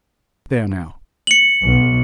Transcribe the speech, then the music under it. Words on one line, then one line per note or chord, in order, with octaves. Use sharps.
There, now.
C#7 F#7
B1